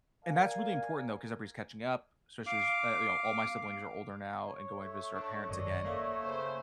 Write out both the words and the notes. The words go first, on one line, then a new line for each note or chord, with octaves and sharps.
And that's really important, though, 'cause everybody's catching up, especially as, you know, all my siblings are older now and going to visit our parents again.
A#4 D5 F5 G#5
F5 D6
C#5
A3
D4
G#1 F#2 D5 D#5
A3 A#3
C#3 C5